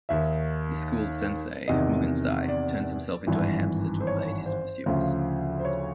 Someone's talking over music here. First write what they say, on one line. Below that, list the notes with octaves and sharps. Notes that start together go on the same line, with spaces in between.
The school's sensei, Mugensai, turns himself into a hamster to evade his pursuers.
D#2 D#3 E5
E2 C3 D#3 D#5
D5
G#1 G2 E3
C5
C#5
C5
D2 C#3 F3
C5
C#5